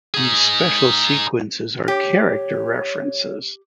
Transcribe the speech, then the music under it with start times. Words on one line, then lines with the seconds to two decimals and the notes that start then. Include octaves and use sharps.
These special sequences are "character references".
0.14 D#4 G#4
1.88 G4 C#5